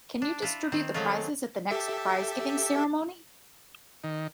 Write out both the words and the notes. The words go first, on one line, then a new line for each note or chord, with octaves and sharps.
Can you distribute the prizes at the next prize-giving ceremony?
D4
E4 F4
D#3 C4
D#3 F#3 G#3 A3 F4
G4 A4 E5
D#3